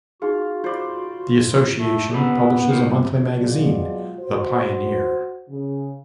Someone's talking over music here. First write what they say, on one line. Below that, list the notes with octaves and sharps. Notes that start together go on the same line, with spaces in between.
The association publishes a monthly magazine, "The Pioneer".
D#4 F4 F#4 G#4
F4 C5 D5
A3
B3 G4 A4 B4
C3 D#3 A#3
G2
B2 F#3 G#3 F4 D5
F#4 C5
C#3